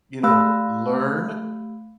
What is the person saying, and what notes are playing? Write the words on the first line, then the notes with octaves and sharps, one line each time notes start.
you know, learn,
A3 G4 F5 B5 E6 F#6